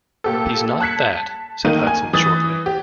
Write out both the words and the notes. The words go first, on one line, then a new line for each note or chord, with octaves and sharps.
"He's not that," said Hudson shortly.
A#2 G4 A4
A5 F#6 G#6 B6 C#7
D#3 A#3 D#4 D#7
G#5
E3 D#6 A6
G4